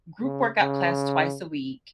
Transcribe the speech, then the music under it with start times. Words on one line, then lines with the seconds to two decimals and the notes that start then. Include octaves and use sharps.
group workout class twice a week,
0.24 C#3
0.60 C#3